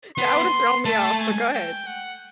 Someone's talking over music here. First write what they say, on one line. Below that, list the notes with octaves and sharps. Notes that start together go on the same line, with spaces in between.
That would have thrown me off, but go ahead.
B3 C6
A3 A5
G#5
G5
F#5